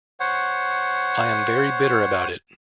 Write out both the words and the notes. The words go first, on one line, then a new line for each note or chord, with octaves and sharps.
I am very bitter about it.
C5 C#5 F#5